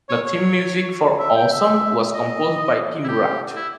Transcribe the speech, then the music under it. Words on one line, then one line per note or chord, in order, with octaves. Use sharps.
The theme music for "Awesome" was composed by Tim Wright.
C#5
C#5
E5
G5
E5
D#5
E4
G4
E4